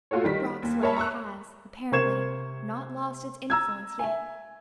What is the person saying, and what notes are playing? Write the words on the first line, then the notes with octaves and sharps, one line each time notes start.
Brock's letter has, apparently, not lost its influence yet.
A3 F4 F#4 A4 C#5
D#3 G3 B6
G3
D#2
A#4 C#5 E5 A5 B5
A#5 C#6 E6 F#6
C3 A#4 C5 C#6 G#6 E7
A#5 E6 G#6
E5 G#5